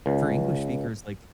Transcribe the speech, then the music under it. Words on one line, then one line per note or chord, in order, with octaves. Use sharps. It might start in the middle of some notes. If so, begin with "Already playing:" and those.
for English speakers, like,
C#2